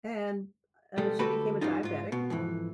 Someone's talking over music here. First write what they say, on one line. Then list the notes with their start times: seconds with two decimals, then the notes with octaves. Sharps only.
and, uh, she became a diabetic.
0.97 B2 G3 G#3 A4
1.19 D2 F#4 G4 A4 B4 B5
1.61 G2 G3 C#4 D#4 F4
1.83 G#2 F4
2.12 B2
2.30 F2 G#2 E3